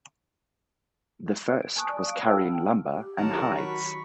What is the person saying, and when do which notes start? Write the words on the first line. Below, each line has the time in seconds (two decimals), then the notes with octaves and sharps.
The first was carrying lumber and hides.
1.62 D7
1.76 G#5 A5 C#6 D#6 F#6
1.89 D5
2.07 F5 D7
2.23 F#5 G5 A5 B5 E6 F6
2.92 G4
3.17 D#3 F#3 A#4 F#5 A5 A#5
3.56 F#4 B5 C#6